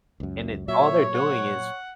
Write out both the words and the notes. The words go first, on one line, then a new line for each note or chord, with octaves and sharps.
and it all they're doing is
C#2 F#2
A#2 F#3 C#5 E5
F#5